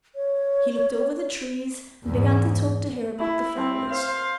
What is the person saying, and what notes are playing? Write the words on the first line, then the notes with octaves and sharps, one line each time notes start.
He looked over the trees, and began to talk to her about the flowers.
C#5
E2 G#2
E4
C4 E4
C5 F5